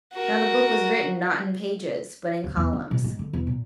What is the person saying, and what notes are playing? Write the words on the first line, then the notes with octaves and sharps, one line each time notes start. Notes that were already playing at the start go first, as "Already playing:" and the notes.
Now the book was written, not in pages, but in columns.
F#4 A#4
D2
E2
D#4
A#2
G#2
D3
E2
A#2